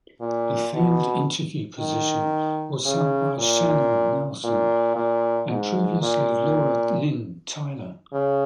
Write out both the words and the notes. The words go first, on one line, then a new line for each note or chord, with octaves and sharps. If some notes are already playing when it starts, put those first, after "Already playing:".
The field interviewer position was held by Shannon Nelson, and previously Laura-Lynn Tyler.
A#2
B2
D#3
C#3
A#2
A#2
A#2
G#2
A#2
C#3